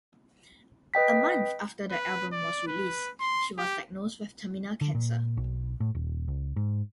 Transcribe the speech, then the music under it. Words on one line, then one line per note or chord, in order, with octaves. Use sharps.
A month after the album was released, she was diagnosed with terminal cancer.
B4 D#5 G5 B6
B4
D5
B4
C6
G4
D3
A#2
B1
A2
D#1
C#2
G#2